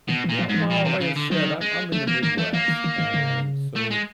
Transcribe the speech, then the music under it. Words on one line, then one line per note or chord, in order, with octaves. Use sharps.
Yeah, well, like I said, I'm I'm in the Midwest, and so
B2 D#3
E3
A#2
F3
G#2
E3
A#2 F3
E3
C3
C#3
D3
D#3 F#3
G#3
F3 A3
E3 A#3
D#3 A#3
E3 A3
E3 A#3
D#3
D#3
D#3
D3
C#3
C3
C#3
A3
G#3